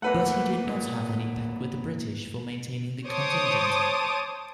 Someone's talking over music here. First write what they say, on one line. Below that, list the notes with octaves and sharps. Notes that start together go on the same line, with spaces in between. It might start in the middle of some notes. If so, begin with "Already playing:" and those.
But he did not have any pact with the British for maintaining the contingent.
A3 A#3 B4 F#5
G#2 A#3
C5 C#5 A5 D6 D#6